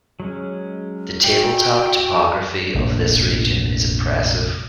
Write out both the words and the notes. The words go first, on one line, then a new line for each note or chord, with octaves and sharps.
The table top topography of this region is impressive.
F#3 G#3 C#4
E4 F#4 G4 D5 G5
F1 A#1 G#2